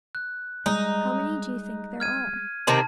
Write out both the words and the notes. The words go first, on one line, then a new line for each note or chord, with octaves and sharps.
How many do you think there are?
F#6
G3 G#3 D#4
F6 G#6 D#7
C3 D#3 C4 A5